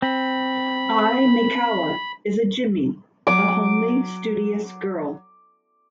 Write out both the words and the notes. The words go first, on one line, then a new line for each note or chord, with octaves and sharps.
Ai Maekawa is a "jimi", a homely, studious girl.
C4 B5
F#3 D6